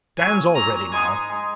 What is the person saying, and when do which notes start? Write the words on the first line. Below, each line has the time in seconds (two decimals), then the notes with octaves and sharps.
Dan's already now.
0.18 A#2 F#3 C#4 G#5
0.55 A#2 F#3 C#4 A#5
0.92 G#2 G#3 D#4 G#4 G#5
1.30 G#3 D#4 G#4